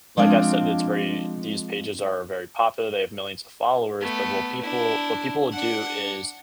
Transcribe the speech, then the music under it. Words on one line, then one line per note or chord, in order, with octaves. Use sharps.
like I said, it's very these pages are very popular, they have millions of followers, but what will people what people will do is
F3 G#3 C4 D4 F5
A3 B3
D4 E4
D4 F#5